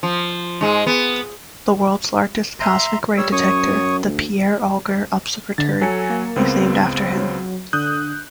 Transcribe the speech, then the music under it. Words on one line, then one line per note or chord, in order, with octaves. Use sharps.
The world's largest cosmic ray detector, the Pierre Auger Observatory, is named after him.
F3
G#2 G#3
B3
E5 A#5 C6
G3 C#5 E6
F#2 C#5 C#6 D#6
D2
D3 A6
F#3 A4 G#5 C#7
A#3
C#2 B3 C4
F#3
D3 D#6 F#6 G6